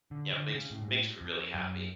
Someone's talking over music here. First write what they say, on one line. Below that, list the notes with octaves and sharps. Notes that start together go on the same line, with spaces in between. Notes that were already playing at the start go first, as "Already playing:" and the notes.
you know, makes makes me really happy.
D3
D3
C#3
A2
G#2
A2
F2
F#2